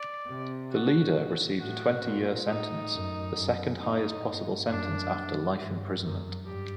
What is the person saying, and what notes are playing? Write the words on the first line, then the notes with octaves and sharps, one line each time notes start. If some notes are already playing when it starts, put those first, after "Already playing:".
The leader received a twenty-year sentence, the second highest possible sentence after life imprisonment.
Already playing: D5
C3
F#4
A#2
A2 F#4
A#2
A2 D#4
F#2
F#2
A2 D#4
G2
F#2 D4
G2
F#2
G2 G4